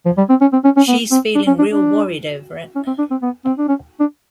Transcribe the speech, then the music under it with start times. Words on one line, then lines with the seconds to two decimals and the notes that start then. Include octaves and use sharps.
She’s feeling real worried over it.
0.06 F3
0.17 G3
0.29 C4
0.41 C#4
0.53 C4
0.64 C#4
0.77 C#4
0.88 B3
1.11 C4
1.35 D4
1.47 C#4
1.59 D4
1.70 D4
2.75 C#4
2.87 C4
2.98 D4
3.11 C4
3.22 B3
3.45 C4
3.58 D4
3.69 C#4
4.00 D4